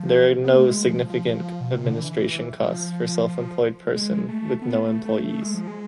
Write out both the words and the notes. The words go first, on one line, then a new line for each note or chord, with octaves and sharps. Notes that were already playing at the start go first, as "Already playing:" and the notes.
There are no significant administration costs for self-employed person with no employees.
Already playing: F3
B3
A3
G#3
F3
F3
B2
C3
D3
E3
F3
G#3
A3
B3
A3
A3
A3
G#3
F3
G#3